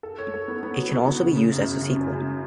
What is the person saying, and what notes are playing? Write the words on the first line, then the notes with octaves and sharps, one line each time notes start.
It can also be used as a sequel.
A4
C#5
A4
B3
B3
F#3
F#3
B3
C#3
C#3
F#2
C#3
C#3
F#2
C#3